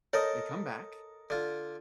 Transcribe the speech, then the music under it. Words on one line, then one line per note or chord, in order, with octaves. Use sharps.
they come back,
A4 A#4 C#5 D#5
D3 F4